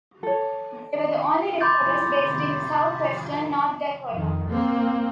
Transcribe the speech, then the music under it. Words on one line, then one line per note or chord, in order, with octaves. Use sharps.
They were the only reporters based in southwestern North Dakota.
A4 C#5
B5 C6 D6 G6 A6
F2 D#3
A#3 C4